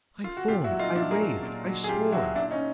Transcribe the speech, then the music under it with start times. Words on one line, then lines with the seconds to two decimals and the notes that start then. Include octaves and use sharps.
I foamed--I raved--I swore!
0.24 F4
0.37 F#4
0.48 A#2 F4 G4
0.64 E4 F#4
0.71 F#3
0.79 D#4 F4
0.95 A#2 D4 E4
1.11 G#4 A#4
1.19 F#3
1.42 A#2
1.66 F#3
1.84 G#4
1.89 A#2 F4 G4
2.12 F#3 E4 F#4
2.35 A#2 D4 E4
2.51 C#4 D#4